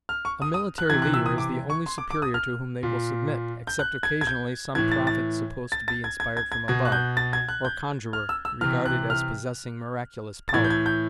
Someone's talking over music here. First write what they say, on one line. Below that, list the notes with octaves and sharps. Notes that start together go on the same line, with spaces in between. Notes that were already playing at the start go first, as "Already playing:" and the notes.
A military leader is the only superior to whom they will submit, except occasionally some prophet supposed to be inspired from above, or conjurer regarded as possessing miraculous power.
F6
C#6
D#6
D#6
F#6
C3 E3 G#6
F#6
E6
D#6
D6
C#6
C6
D6
D6
D#6
F6
A#2
G6
F#6
G#6
G#6
G6
A2 E3 G#6
A6
A6
A6
A6
G#6
G#6
G#6
G#6
B2 G#6
F#6
G6
A6
G#6
F#6
G6
F6
E6
E6
C3 E3 F6
F#6
F6
A6
A2 E3 G#6
G6
G#6
G6